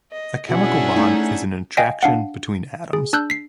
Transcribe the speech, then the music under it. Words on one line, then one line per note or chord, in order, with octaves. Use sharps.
A chemical bond is an attraction between atoms.
D#5
B2 C#4 D4 E4 G#4 F#5
A3 D#4
D#5 F5 G5 G#5 B6
D4 F5 F#5
G#4
D4 E6 F#6 G6
B6 C7